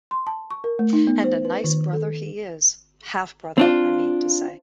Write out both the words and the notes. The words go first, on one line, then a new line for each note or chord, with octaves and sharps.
And a nice brother he is — half-brother I mean to say.
C6
A5
C#6
A#4
A3
D#4
B3
C5
B4
D#3
A4
C4 D4 F4